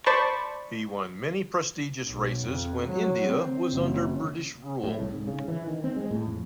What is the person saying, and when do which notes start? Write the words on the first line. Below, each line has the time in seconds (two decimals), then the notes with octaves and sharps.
He won many prestigious races when India was under British rule.
0.06 C5 D5 A5 B5 C#6
2.07 B1
2.45 F2
2.87 F#3
3.28 C4
3.72 F#1
4.84 A2
4.99 C2
5.13 G#2
5.27 C#3
5.48 E3
5.67 D#3
5.84 C4
5.96 G#3
6.11 A2
6.27 F2